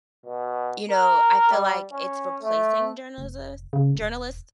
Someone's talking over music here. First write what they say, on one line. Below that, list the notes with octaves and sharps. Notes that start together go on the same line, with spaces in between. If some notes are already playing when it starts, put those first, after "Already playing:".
you know, I feel like it's replacing journalism journalist,
B2
A#4
G3
C#4
A3
F1
C#3
E1